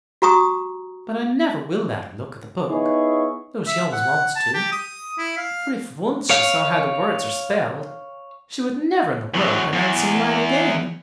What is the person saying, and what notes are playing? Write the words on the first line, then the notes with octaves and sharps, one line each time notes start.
But I never will let her look at the book, though she always wants to; for if once she saw how the words are spelled, she would never in the world pronounce them right again.
F#4 G4 A#5 C#6 D#6
B3 D#4 E4 G#4 C#5
E5
F#5
A5
G4
D#6
E4
F5
C#5 F5
E2 F#3
E2